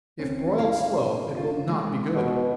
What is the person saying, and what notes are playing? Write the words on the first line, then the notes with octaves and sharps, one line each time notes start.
If broiled slow, it will not be good.
D2 C4 C#4
G2 E4 F5
F4
G#3 A#3
B2